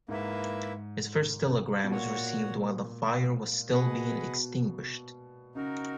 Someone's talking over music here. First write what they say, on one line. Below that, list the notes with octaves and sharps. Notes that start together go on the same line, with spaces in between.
His first telegram was received while the fire was still being extinguished.
G#2 A#3 E4 B4 E5
B2
A#2 F#4 C#5 F#5
B2 G#4 B4 D#5 F#5
C#3 D#4 F#4 A#4